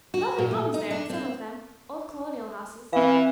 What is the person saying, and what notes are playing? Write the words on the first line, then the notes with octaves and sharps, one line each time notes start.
Lovely homes there, some of them,--old colonial houses.
F#4
A#2
A3
D#4
D4
C4
E3 C4 F5